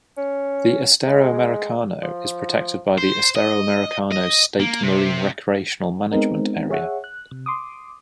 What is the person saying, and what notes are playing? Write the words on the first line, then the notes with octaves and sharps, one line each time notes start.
The Estero Americano is protected by the Estero Americano State Marine Recreational Management Area.
C#4
G#3
F3
C5
D#5
D#5
A#3
C3
G#3 B3 C4 D#4 A#4
G#4 C#5 E5 F#5
F#6
C3
C6 D6 D#6